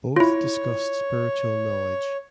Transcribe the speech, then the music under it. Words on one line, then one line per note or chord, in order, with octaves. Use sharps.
Both discussed spiritual knowledge.
E4 F4 C#5